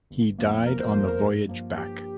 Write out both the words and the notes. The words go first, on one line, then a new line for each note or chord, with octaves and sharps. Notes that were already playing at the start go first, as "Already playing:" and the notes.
He died on the voyage back.
G1
F2 F3 A#3
G1 A#4
C5
F2 F3 A#3 C5
A#4
G2
F3 A#3
G2 G4